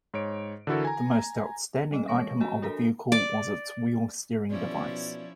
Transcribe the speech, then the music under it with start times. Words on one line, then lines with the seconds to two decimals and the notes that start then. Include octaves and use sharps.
The most outstanding item of the vehicle was its wheel-steering device.
0.14 G#2 C#5 D7
0.67 D3 E3 E4 F#4 A4 A#4
0.85 G#5 A#5
1.91 G3 C#4 D#5
2.08 E3 G#3 C#5 C#6 A#6
2.41 F#4 D#5 G#5 A#5
2.62 D4 F#4 A4 A#4 A#5
3.12 D5
4.49 B2 F3 C#4 E4 D5